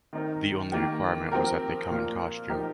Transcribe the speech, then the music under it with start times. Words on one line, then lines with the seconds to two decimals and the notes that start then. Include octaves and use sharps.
The only requirement was they come in costume.
0.13 D#3 C4 D#4 A#4
0.72 D#3 A#3 G4
1.32 F3 C4 G4 A#4
1.90 A#2 A#3 F4 A#4
2.49 F3 D#4 G4 A#4